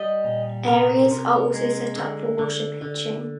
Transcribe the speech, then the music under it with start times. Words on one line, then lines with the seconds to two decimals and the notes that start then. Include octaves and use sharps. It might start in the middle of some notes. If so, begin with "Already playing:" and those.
Areas are also set up for washer pitching.
Already playing: G3 D#5
0.24 A#2
0.67 C3 A#4
1.10 C3
1.54 G#3
1.96 D3
2.39 D3
2.82 D3